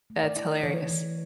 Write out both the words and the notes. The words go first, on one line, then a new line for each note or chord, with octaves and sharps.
That's hilarious.
A3
D5
E4
E3 C#5
E3